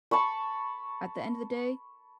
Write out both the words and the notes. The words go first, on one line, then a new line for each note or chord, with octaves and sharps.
at the end of the day,
A5 B5 C#6